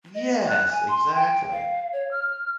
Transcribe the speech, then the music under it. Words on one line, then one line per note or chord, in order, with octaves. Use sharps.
Yes, exactly.
D#5
F#6
G#5
C6
G5
F5
C#5
F6